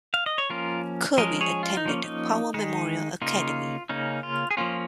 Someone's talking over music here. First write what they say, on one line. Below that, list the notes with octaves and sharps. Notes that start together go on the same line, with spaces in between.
Kirby attended Power Memorial Academy.
F5
D#5
C#5
F3 A#3 C#4 F4 A#4
F3 G#3 C#4 A#4 D#5
G#4 C#5
F4
D#4
F3 A#3 C#4
D#4
D#3 G#3 D#4
C#3 A#3 D#4 F4
C#3 A#3 C#4 D#4
F4
G#4
F3 A#3 C#4 F4